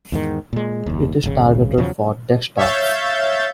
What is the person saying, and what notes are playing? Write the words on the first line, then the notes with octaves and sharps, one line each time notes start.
It is targeted for desktops.
E2 G#2 D#3
A#2 G#3
F#1 D#2
D1 G#1 C#3
E2 C#3 F3 F#3
C#5 E5 F5 G6 A6